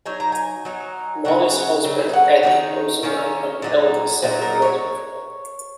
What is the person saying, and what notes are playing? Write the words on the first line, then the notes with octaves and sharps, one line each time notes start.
Molly's husband Eddie also died from an illness several years before.
F#3 D#4 G#5
A#5
G#5
F#3 D#4
C#3 F#3 C#4 F#5
C#3 F#3
D#5
F#5
D#3 A#3 C#4 D#4
D#3 A#3 C#4
A#2 F#3 D#4
A#2 F#3 D#4
A#4
C#5